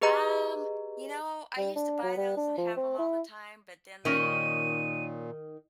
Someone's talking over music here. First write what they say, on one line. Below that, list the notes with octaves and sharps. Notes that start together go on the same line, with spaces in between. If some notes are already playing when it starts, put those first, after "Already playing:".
Um, you know, I used to buy those and have them all the time, but then I
G4 G#4 B4 D#5 A#5
G3
D4
F#3
G3
D4
F3
C4
E4
A#2 D#3 C#4 D#5 D#7